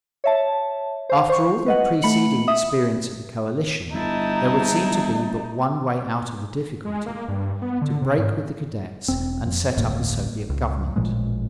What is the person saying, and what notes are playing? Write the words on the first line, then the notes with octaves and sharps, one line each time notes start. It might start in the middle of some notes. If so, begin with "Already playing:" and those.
After all the preceding experience of the coalition, there would seem to be but one way out of the difficulty--to break with the Cadets and set up a Soviet government.
C#5 E5 A5
C5 F5
C5 C#6
B4 D#5 F#5
A3 B5 C#7 F#7
E5 D#6
G1 D#4 E4 A5
G#3
A#3
G2
B3
D3
C3
G#2
E1 C4
F2
G1 D2 A2 A#3
C#2
A1 A#2 F3 G#3